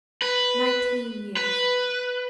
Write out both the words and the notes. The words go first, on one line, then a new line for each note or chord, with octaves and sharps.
Nineteen years.
B4
B4